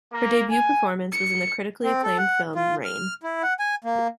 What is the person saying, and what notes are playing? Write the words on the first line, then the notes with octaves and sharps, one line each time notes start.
Her debut performance was in the critically acclaimed film "Rain".
A#3
G#5
C#7
C4
A4
F#5
F4
F6
E4
F#5
G#5
A#3